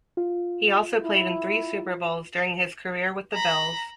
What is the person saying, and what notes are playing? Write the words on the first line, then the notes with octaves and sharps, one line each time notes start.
He also played in three Super Bowls during his career with the Bills.
F4
E4
A#5 B5